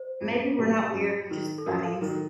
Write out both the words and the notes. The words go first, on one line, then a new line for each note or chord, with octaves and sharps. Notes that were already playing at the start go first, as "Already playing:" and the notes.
Maybe we're not weird, we're just bunnies.
Already playing: C5
F2
C3 F#3
F#2
D#3 F#3
A4
F#2 A#4
A4
D#3 F#3 A#4